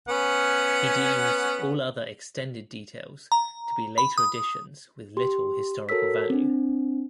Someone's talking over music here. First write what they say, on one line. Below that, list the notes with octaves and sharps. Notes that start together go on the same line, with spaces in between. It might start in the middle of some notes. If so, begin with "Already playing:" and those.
He deems all other extended details to be later additions with little historical value.
B3 C#4 F#5
A#5
B5
D#6
G4 C6
F#4 A4 A#4 C#5 E6 B6
C4 D4